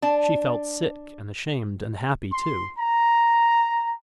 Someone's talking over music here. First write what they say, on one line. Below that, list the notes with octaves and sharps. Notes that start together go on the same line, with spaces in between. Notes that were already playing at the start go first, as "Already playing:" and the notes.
She felt sick and ashamed and happy, too....
D4 D5 A5
C6
A#5